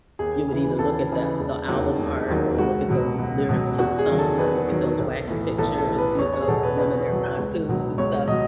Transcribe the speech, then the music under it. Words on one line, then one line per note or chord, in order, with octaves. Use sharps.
you would either look at the the album art, or look at the l lyrics to the song, or look at those wacky pictures you of them in their costumes and stuff.
D#2 G#4
C#3 E3
D#2 A4
C#3 E3
E1
D#2 D#3 F#3
E1
D#2 D#3 F#3
C#2 F#4
B2 F#3
C#2
B2 F#3
E2 F#4
G#4
D#3 F#3
A4
E2 B4
D#3 F#3
B1
A2 E3
B1 A4
A4
A2 E3
B4
E2 C#5
C#5
G#4
B2 F#3 A4
B4
E2 B4
B2 F#3
C#2
B2 F#3
C#2 C#5
B2 F#3 D#5